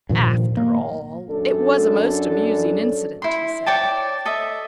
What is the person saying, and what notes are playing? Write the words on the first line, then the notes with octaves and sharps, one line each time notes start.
"After all, it was a most amusing incident," he said.
G2 A#2 D#3 F3
A#3
F#2 D4 A4
E4 C6
C#5 D5 G5 A5
A4 D#5 E5